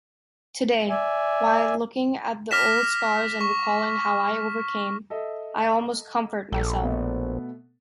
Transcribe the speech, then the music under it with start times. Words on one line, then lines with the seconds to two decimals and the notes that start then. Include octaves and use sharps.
Today, while looking at the old scars and recalling how I overcame, I almost comfort myself.
0.89 D5 E5 G#5
2.51 D6 F6 A#6 B6 E7
3.41 C#6
5.10 A4 D#5 E5
6.52 A#1 A4
6.82 B2 A3 B3